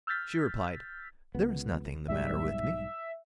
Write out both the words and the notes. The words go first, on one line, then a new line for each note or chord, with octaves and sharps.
She replied: "There is nothing the matter with me."
E6 F6 G6 A6 B6
C#2 B3
B1 G#2 G3 E5